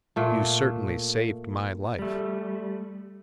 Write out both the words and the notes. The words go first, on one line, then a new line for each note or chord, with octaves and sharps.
You certainly saved my life.
A#2 A3
G3 A3